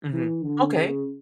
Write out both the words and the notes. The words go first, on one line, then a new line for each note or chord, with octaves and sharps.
Mhm, okay.
E3
D3
C#3